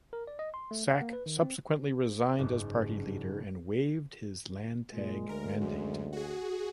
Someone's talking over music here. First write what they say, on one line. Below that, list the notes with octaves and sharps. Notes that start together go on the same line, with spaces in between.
Sack subsequently resigned as party leader and waived his Landtag mandate.
A#4
D5
D#5
C6
A3
F#5
A#3
B4
D#3
C4
F#1 G#2
A#2 G#3
D2 A#4
F#2
F#4 G#4